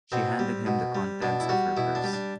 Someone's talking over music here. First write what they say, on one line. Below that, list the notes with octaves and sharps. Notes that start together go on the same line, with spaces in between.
She handed him the contents of her purse.
B2 C4
G3
B2
G3
B2 D4
E4
G3 F#4
B2 E4
D4
G3
D4